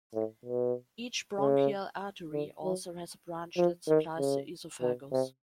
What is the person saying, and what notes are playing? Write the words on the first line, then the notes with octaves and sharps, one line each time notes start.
Each bronchial artery also has a branch that supplies the esophagus.
A2
B2
C#3
D3
F#3
F3
D#3
C#3
B2
C3